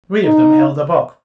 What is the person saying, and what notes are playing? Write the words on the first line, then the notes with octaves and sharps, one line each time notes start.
Three of them held a box.
D#4